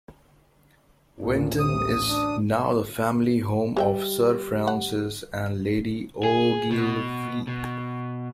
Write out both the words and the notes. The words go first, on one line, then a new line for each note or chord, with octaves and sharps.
Winton is now the family home of Sir Francis and Lady Ogilvy.
A1 D2 A#2
C3 D#6
D4
G3 G#3 E5 G5
F#5
G#4
B2
B2